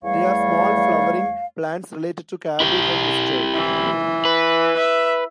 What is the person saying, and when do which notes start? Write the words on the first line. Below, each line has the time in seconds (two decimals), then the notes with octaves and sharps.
They are small flowering plants related to cabbage and mustard.
0.03 E2 G3 A3 C#5 F5
2.60 E4 G4
3.54 E3
4.25 B4
4.77 E5